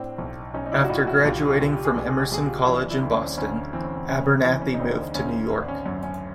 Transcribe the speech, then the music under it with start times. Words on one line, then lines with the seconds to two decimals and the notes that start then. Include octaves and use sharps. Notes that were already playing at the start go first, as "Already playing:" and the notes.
After graduating from Emerson College in Boston, Abernathy moved to New York.
Already playing: A2 C4 D4
0.18 B1
0.54 B1 C#4 D#4
0.66 D#4
0.72 D4 E4
0.84 F#4
0.89 A2 D#4 F4
1.07 E4 F#4
1.25 B1 F4 G4
1.48 F4 G4
1.61 B1
1.72 G4
1.85 G#4
1.96 B1 G4
2.09 G#4
2.21 G4
2.32 B1 G#4
2.46 F4 G4
2.67 E3 D4 E4
2.90 D4 E4
3.02 D2
3.10 C#4
3.14 C4 D4
3.38 D2 C#4
3.73 E3 C4
3.84 C#4
3.95 C4
4.09 C#3 C#4
4.26 C4
4.44 E3 C#4
4.62 C#4
4.74 D#4
4.79 D2 C4 D4
5.15 D2 C#4
5.50 G#1
5.61 D4
5.68 C#4
5.86 F#2 C#4
6.03 C#4